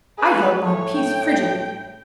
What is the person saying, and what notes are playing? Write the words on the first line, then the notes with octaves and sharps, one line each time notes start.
I held my peace frigidly.
G#4 B4
A2 C#5
G5